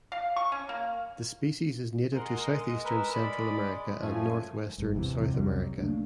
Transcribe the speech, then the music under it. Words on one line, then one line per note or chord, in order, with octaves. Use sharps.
The species is native to southeastern Central America and northwestern South America.
F5
C#6
C#4
A#3
G#3 A#4 F#5 C6
D#5
A#4 B4 E6
D5 B5
F#2 F3 A3 G#5
G1 G2
E2 C3 E3
C2 C3
C2 F2 F#3 G3
F#3
C#3 A3 A#3 D4